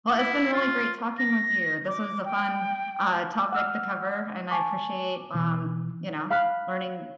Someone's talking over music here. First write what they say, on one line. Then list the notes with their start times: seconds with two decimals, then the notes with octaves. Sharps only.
Well, it's been really great talking with you. This was a fun, uh, topic to cover, and I appreciate, um, you know, learning
0.16 E4
0.53 F4
1.19 A#6
1.88 D6
2.25 G5
3.53 F#5 E6 F6
4.51 G#5 A5 C#6 D6
5.34 B2 E3
6.30 F5 B5 F6 F#6 B6 C7